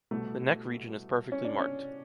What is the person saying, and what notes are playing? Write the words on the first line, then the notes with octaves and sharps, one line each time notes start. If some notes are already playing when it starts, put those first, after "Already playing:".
The neck region is perfectly marked.
C2 B2 A3
C#4
D4
C#4